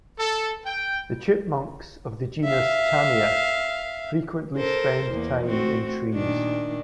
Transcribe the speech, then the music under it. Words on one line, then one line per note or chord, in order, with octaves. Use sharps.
The chipmunks of the genus "Tamias" frequently spend time in trees.
A4
G5
E5 F5
A4 A#4 C5
E2 A#3
A3 C4 F#4
A#2 D#3 D4